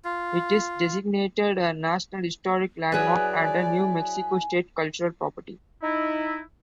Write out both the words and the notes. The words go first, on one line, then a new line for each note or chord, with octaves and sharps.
It is designated a National Historic Landmark and a New Mexico State Cultural Property.
F4
F#3 E4 G#4 B4 D5 G#5
D#4 E4